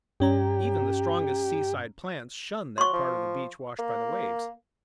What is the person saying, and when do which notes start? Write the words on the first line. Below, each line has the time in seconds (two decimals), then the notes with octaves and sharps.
Even the strongest seaside plants shun that part of the beach washed by the waves.
0.20 G2 C#4 G4 A#5
2.78 F#3 C6 C#6
2.93 F3
3.79 A#3